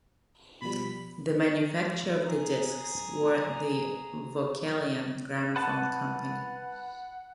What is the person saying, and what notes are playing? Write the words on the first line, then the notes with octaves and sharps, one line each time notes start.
The manufacturer of the discs were the Vocalion Gramophone Company.
B2 F3 G3 B5
G#4 A#5
B4 F#5 A5